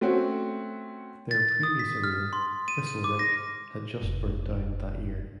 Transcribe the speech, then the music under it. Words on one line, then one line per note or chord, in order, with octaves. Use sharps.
Their previous arena, Thistle Rink, had just burnt down that year.
A3 C4 C#4 F#4
A6
A6
D#6
B6
F6
C6
D#7
D#7
D6
A#6
F1